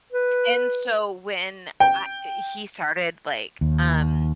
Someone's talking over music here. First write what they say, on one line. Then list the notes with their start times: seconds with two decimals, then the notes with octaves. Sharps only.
and so when I he started, like, um,
0.12 B4
1.80 G5
3.61 D#2